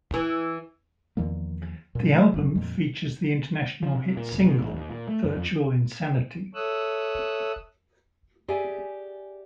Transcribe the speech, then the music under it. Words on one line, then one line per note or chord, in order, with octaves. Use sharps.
The album features the international hit single "Virtual Insanity".
E3
E2 D#3 F3 A#3
G2 A#2
A3
G1 F#2
F2 A#2
F3
C3
A#2
F1
B2
A1
D#2
A#2
A3
F#2
F2
A4 C#5 E5 D#6 E6 F#6
G4 G#4 D5 E5 G#5